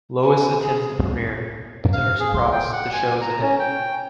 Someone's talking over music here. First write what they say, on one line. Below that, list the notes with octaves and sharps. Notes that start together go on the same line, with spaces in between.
Lois attends the premiere, but to her surprise, the show is a hit.
G#5
G#4
F5
G#4
C6
G5
F#5
G#5
A#5
C#4
G5